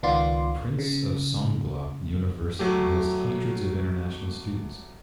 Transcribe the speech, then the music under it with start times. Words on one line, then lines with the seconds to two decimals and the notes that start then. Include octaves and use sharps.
Prince of Songkla University hosts hundreds of international students.
0.03 C#2 D#3 B3 F4 D5 C6
0.79 C#3
2.59 F#3 A3 G4